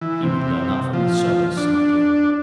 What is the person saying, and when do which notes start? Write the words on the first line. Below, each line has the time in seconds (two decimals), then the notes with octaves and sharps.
"He would learn that from the servants, my dear."
0.01 E3
0.23 C3
0.93 F3
1.57 D4